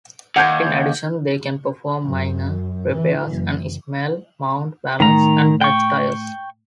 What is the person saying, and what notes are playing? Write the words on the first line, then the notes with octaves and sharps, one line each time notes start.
In addition, they can perform minor repairs and sell, mount, balance, and patch tires.
D#2 F#5 G6 G#6
F#2
E3
F#1
A2 D#3 A#5
G5 C#6